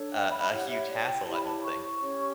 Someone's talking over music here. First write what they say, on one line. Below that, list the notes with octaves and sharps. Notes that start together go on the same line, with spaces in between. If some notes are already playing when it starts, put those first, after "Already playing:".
a a huge hassle, I don't think.
Already playing: D4 A4 C#5
G5
B5
E4 G4 C#5 F#5
E5
D5
G5
E4 G4 C#5 A5
B5
A5
C#6
C#4 G4 C#5